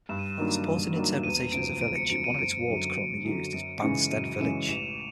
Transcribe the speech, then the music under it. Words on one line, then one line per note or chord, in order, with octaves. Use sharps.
Supporting interpretation as a village, one of its wards currently used is "Banstead Village".
G2 E7
D#7
E7
D#3 F#3 A#3 D4
G2
D#3 F#3 A#3 D4
E1 D#7
D2 C#3 F3 D7
E1 D7
C#7
D2 C#3 F3 D7
D#7
F#1 D7
F#2 D3 F#3
F#1
F#2 D3 F#3
F#2 D7
C#3 E3 G#3 C#4 C#7
F#2 D#7
D#7
C#3 E3 G#3 C#4 E7
F7
A1 E7